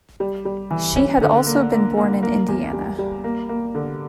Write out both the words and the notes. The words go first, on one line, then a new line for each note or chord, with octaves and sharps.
She had also been born in Indiana.
G3
G3
E3
C#4
D3
A#3
A#3
A#3
A#3
E2
G3
G3
A#3
A#3
D3